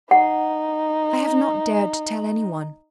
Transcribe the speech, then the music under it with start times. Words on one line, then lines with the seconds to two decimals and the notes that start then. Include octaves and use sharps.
I have not dared to tell anyone.
0.11 D#4 F#5